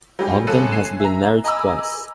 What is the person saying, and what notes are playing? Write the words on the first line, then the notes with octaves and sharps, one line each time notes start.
Ogden has been married twice.
F#3 G3 G4 G#4
G1 C#3 G#4 A4 F#6 D#7
G#5 C7 E7
E5 A#5
D#5 G#5 A#5 B5 D6 E6